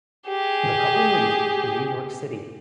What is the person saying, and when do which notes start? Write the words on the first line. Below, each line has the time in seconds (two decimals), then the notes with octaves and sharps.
The couple moved to New York City.
0.28 G4 G#4